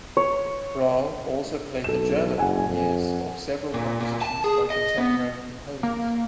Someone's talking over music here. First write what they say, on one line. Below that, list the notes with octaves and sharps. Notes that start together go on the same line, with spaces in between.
Rauh also played the German premieres of several compositions by contemporary composers.
C#5
B1 A4 E7
F#1 F#5 G#5
F2
A#2
A#2
A5
G#4
D#5
B3
A#3